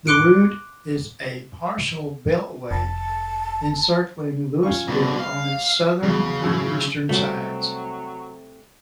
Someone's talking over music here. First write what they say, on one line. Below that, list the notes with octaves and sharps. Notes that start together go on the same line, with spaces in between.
The route is a partial beltway, encircling Louisville on its southern and eastern sides.
C6 D6 F#6 C#7 D7
F1 A5
C#4 F4 C#6
C2 B2 D3
F5
B1 E2 C#3
F#2 A2 F#3
C2 F#3 A3 C4 F#4 C#5